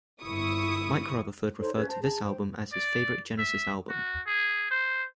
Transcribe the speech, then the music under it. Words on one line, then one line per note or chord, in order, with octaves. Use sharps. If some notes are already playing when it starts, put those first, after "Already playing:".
Mike Rutherford referred to this album as his favourite Genesis album.
G1 E4 C#6 D#6
D#4 A4 C5 C#5
C#4 G#4 B4 G#6
C5 A5 A#5
G#4 A5 A#5
C5 G5
D5
E5
F#4
G#4
C5